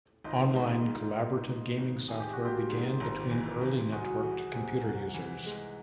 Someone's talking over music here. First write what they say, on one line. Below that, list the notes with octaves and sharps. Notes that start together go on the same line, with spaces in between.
Online collaborative gaming software began between early networked computer users.
G#1 D#4 F4
G#2
G#2
G#2
G#2
G#1
G#1 G#4
G4
F#4
G#1
F4 G4
G#2
G#1
E3
G#1
C2 F#4 G#4
E3
C3
C2
E3
G#3